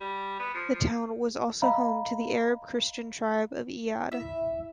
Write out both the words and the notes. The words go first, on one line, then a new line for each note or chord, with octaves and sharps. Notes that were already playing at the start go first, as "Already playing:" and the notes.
The town was also home to the Arab Christian tribe of Iyad.
G3
B3
F3
F3
D#5 F5 A#5 B5
E4 E5